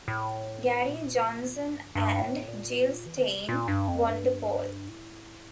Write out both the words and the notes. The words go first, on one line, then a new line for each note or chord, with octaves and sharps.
Gary Johnson and Jill Stein won the poll.
A2
A#2
G2
G2
A2
A#2
E3
D3
C3
A#2
G2
F2
G2
A2